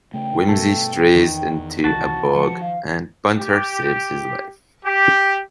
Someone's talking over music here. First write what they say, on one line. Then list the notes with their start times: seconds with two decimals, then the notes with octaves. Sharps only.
Wimsey strays into a bog, and Bunter saves his life.
0.14 C#3 A3 G5
0.48 G2 B2 A3
1.15 E2 D#3
1.84 C2 E3 F#4 A5
2.35 F3 C#7
2.61 F5
3.36 G4
4.86 G4